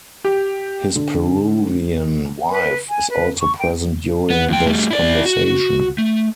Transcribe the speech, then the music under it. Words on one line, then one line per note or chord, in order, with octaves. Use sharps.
His Peruvian wife is also present during this conversation.
G4
D3
B4
G#5
B4
C#6
G5
B3
F2 G5
G3 A3
E4 D5
F#4
A3